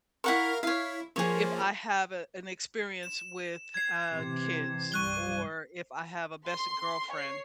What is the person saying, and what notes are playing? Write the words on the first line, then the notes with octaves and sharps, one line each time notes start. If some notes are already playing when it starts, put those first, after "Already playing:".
if I have, uh, an experience with, uh, kids or if I have a best girlfriend,
E4 A#4 F5 F#5 C#6
E4 C#5 F5
F3 A#3 G#4 C#5
E7
G#6 C7
C3 E3
C2 G2 G3 C#6 F#6 G7
C6
C#5 C7